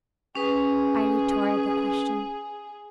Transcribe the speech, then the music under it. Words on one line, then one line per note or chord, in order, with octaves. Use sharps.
I retorted the question.
C#4 G#4 B4